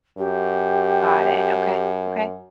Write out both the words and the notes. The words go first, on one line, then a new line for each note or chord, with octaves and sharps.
Got it, okay. Okay.
F#2 G4